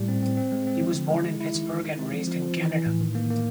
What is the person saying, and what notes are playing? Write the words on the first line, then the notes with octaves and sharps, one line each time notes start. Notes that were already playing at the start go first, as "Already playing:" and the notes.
He was born in Pittsburgh and raised in Canada.
Already playing: A2 G3
C4
C4
C4
G#3
C4
F3
D3
G#3
E4
E4
D#3
D#3
G#3
C4
F3
F3
F3
E3
E3
A2
D#3
A#3
A#3